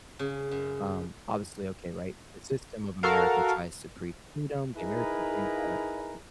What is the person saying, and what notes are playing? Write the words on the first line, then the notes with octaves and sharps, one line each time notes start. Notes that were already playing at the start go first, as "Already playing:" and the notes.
um, obviously, okay, right? The system of America tries to preach freedom, the American dream and all that stuff.
C#3
F#2
F#4 A4 A#4 F5
D#4 E4 G#4 A#4 B4 A#5